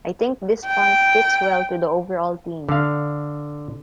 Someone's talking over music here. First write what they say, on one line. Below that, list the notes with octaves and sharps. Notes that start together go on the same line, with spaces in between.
I think this font fits well to the overall theme.
G5
D3 F5